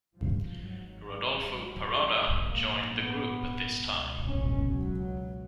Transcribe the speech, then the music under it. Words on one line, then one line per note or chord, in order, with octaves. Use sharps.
Rodolfo Parada joined the group at this time.
G#1 G#2 F3
F#3
G#3
F#3
A#1 G#2 G#3
A#3
B3
C#2 B2
C#4
F#3